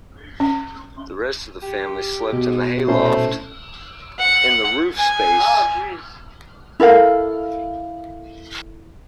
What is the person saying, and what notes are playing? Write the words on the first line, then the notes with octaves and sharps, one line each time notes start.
The rest of the family slept in the hay loft, in the roof space.
C#4
G4
B2
A#2 A3 C#4 E4 C5
F#5
G#5
E4 A4 A#4 F5